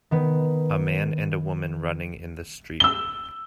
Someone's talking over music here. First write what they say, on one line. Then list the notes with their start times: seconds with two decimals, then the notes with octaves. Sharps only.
A man and a woman running in the street.
0.11 D#3 B3
2.80 E6 G7